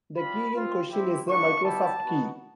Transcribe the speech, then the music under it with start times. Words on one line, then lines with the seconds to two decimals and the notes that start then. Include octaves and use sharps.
The key in question is a Microsoft key.
0.16 G3 C4 F4 B5
0.52 C4 F4
0.90 C4 E4 G4
1.26 A#3 D4 F#4 C#6
1.63 G3 B3 E4 G4 A5
2.00 B3 D#4 F#4